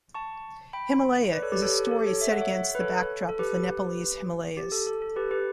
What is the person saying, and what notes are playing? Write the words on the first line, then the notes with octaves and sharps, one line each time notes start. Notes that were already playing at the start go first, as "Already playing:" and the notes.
Himalaya is a story set against the backdrop of the Nepalese Himalayas.
A5 C#6
G5 B5
B4 D5
A4 C#5
G4 B4
A4 C#5
A4
G4
A4
A4 C#5
E5
F#5
C#5 E5
B4
A4 C#5
A4
G4 B4
G4
A4
A4
A4
G4 B4
G4 B4